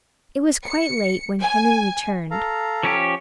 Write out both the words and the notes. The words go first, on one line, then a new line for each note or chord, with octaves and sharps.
It was quite late when Henry returned.
C#7
G#5
A4 F5 A#5
F3 C#4 G4